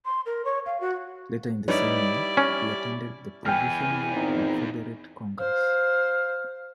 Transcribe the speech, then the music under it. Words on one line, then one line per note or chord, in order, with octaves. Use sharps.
Later in the same year, he attended the Provisional Confederate Congress.
C6
A#4
C#5
F5
F#4
G3 D#4 E4 B4 C#5 D5
C#4
E2 E3 G5 G#5 F6
A#2 C4 D#4
C5 F5